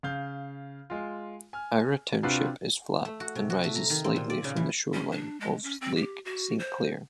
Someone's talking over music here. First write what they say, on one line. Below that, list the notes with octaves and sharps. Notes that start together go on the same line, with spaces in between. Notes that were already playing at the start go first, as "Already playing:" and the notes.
Ira township is flat and rises slightly from the shoreline of Lake Saint Clair.
C#3 F5 G6
G#3 F4
G#5 F6
C3 D4 F4 F#4 B4 C7
A3
F#4
C3
F#4
A3
A#5
D#3
C4
A#2
D5
C#3
E3
C#4
D4
G#3
C#4
C4
G4
F#4
C5